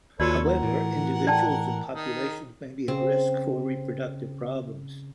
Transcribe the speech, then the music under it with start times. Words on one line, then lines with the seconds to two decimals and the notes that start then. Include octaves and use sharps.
However, individuals and populations may be at risk for reproductive problems.
0.20 D#2 F4 F#4 A4 B4 C#5 D5
0.46 A#4 F#5
0.63 A2 E3
1.27 D5 G5 A5
1.93 D#3
2.88 C#3 C4